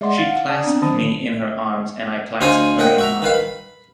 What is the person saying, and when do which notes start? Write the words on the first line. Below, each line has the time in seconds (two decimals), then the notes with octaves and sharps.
She clasped me in her arms, and I clasped her in mine.
0.01 G#3 D5 E5 F#5 C6
0.16 F5 A6
0.29 F#5
0.49 D5 A5 D#6
0.64 B3 C4 D4
0.82 D#3 F#3 A5 D#6
2.41 D2 D#4 C5 C#5 F5 G#5
2.79 A#2 D#5 F#5 G5
2.98 F#4 E5 A#5
3.22 D#3 B4 F5
3.34 B5